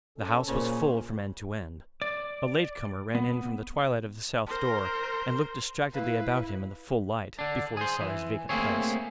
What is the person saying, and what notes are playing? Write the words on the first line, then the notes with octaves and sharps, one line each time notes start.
The house was full from end to end; a late comer ran in from the twilight of the south door and looked distractedly about him in the full light before he saw his vacant place.
C#4 A4
A#2 C#3 C5
D5
B3
A#4 C5 C6
E4 B4 F5
D3 D4
G#4 C5
E3
A3 A#3 C4 E4 G#4 C#5